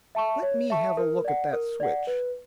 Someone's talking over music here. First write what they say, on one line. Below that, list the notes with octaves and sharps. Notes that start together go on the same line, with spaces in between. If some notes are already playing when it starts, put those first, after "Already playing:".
"Let me have a look at that switch."
E5 A5 C#6
C#5
E5 A5 C#6
A#4
D5 F#5
A#4
D5 F#5
B4